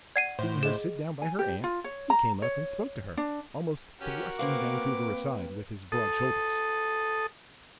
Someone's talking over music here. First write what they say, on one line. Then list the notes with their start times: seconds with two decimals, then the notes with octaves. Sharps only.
Seeing her sit down by her aunt, he came up and spoke to her, almost thrusting Vancouver aside with his broad shoulders.
0.16 D5 F#5 G#6 C7 D#7
0.39 A2 C5
0.63 G#4 D#5 E7
1.22 G#5
1.39 G4
1.64 F4
1.84 C#5
2.10 A#5
2.42 C#5
3.17 D4
4.01 C#4 F#4 G4 A#4
4.39 A#3 C4 B4 F5 D6
5.92 A4 D#6